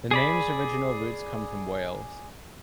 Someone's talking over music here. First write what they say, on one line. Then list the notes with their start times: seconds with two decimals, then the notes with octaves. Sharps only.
The name's original roots come from Wales.
0.11 G#4 D5 B5